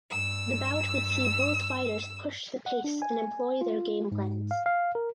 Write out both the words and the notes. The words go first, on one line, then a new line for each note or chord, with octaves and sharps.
The bout would see both fighters push the pace and employ their game plans.
G2 E6
F#5
D4
G#5
F4
G#2
F5
F5
A#4